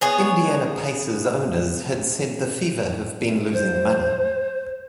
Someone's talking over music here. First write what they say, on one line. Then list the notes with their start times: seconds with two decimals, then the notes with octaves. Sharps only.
Indiana Pacers owners had said the Fever have been losing money.
0.01 B3 G#4 C#5
3.53 C5